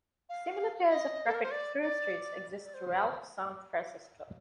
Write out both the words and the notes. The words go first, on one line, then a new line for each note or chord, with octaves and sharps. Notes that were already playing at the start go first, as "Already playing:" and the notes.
Similar pairs of rapid through-streets exist throughout San Francisco.
F5
D#5
A4
A#4
C5
D5
D5
D5
C5